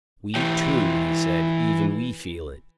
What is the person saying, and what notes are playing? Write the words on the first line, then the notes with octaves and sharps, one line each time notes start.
"We, too," he said, "even we feel it."
E3 G4